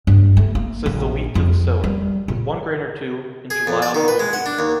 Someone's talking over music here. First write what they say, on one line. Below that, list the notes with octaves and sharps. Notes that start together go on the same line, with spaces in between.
Says the wheat to the sower: with one grain or two, in July I’ll be with you.
G2
A3
A#3
A#1
F2
G3
A#2
G#4
F2
D5
D#3
B4
G#3
F#5
D4
D#2